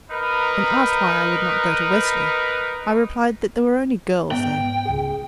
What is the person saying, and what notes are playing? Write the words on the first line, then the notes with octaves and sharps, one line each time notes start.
When asked why I would not go to Wellesley, I replied that there were only girls there.
D#4 A#4 B4
G#2 B3 G5
C#2 G#4